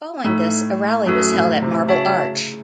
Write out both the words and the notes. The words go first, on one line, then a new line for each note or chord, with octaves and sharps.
Following this, a rally was held at Marble Arch.
A2 A3 D#4 A4
F#2 A3 C#4 F#4 A4
A2
C3
C#3 F#4 C#5 E5 A5